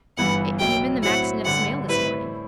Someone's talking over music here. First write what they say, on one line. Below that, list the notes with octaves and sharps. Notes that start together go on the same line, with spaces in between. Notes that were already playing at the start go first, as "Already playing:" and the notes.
'It came in the Maxineffs' mail this morning.
G1 G2 E3 B3 F#5
B1 A2 F#3 G5
A2 F#3 C4 E4 F#5
A1 G2 D3 F#5
A2 G3 C4 E4 B4